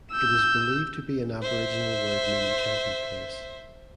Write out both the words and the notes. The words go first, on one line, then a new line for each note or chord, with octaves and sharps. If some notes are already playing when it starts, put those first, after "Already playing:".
It is believe to be an Aboriginal word meaning "camping place".
E6 G6
C5 E5